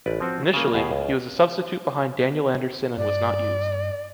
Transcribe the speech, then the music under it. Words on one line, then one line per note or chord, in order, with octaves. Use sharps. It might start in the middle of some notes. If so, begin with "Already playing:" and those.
Initially, he was a substitute behind Daniel Andersson and was not used.
A1 B4 D5
F3 C4 F#4
C#3 A#3
D#2 B2 G4 G#4 F5
C#2
G2 D5